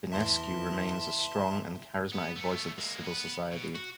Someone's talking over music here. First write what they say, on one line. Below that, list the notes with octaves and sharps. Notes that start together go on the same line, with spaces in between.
Dinescu remains a strong and charismatic voice of the civil society.
E2 E5 A5 C6
B3
A3 B3
G#3 A#3
B3 B4
B2
F#4